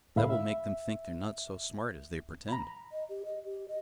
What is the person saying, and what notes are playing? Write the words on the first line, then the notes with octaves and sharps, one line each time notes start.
"That will make them think they're not so smart as they pretend."
D2 A2 D3 E5 F5 B5
E5
A#5 B5
D#5
G4
D#5
G4
D#5